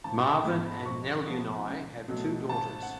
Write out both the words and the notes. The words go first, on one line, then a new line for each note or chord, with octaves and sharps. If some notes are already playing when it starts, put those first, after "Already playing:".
Marvan and Neluni have two daughters.
G#1 A5
A5
G#2 G#3 B3 B5
B5
F2 C#6
F3 B3
C#2
B2 F#3 A3
G#1 A5
F#5